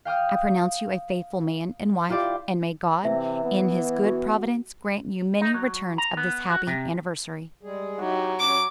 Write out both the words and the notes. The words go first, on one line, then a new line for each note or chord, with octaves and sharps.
"I pronounce you a faithful man and wife: and may God, in his good providence, grant you many returns of this happy anniversary."
F5 G5 D#6 F6
E4 F4 G4 D5
C3 E3 E5
B3
F#4
D#4
F#3
A#5
B3
F#4
C3
G3 G#3 G#4
F#3 D#4 E4 G4
C#4 C#5 D6